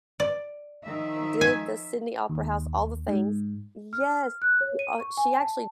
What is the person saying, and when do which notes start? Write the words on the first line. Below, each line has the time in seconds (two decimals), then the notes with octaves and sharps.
did the Sydney Opera House, all the things yes, she, uh she actually
0.20 D5
0.84 D#3 F3 E5
1.41 G#5
2.29 D#2
3.08 G#2
3.93 F6
4.42 F#6
4.61 C#5
4.79 D#7
5.00 C#6
5.17 G#5
5.39 A5